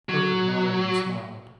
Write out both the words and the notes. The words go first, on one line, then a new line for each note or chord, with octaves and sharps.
Perker nodded and smiled.
F#3